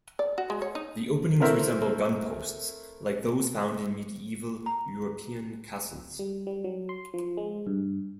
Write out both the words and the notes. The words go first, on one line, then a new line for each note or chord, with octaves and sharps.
The openings resemble gun-posts like those found in medieval European castles.
D5
F#4
G#3
C#5
D#4
A3 C4 E4 A#4 C5 E5
A#5
G3
G3
F#3
C6
F3
G#3
G2